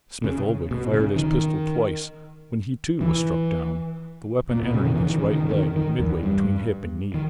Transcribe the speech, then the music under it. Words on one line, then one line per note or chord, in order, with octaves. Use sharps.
Smith-Oldwick fired his pistol twice when he too was struck down, the weapon entering his right leg midway between hip and knee.
C#3
B2
C#3
D#3
E3
A#2
B2
C#3
D#3
E3
D#3
C#3
D#3
C#3
D#3
D#3
E2
G2
D#3